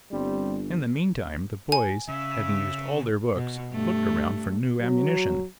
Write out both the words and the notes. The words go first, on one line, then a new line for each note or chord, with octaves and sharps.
In the meantime, the boys, having used all their books, looked around for new ammunition.
G1 G3 C4
G#5
C#3 E5
B2
G2 A3
F#3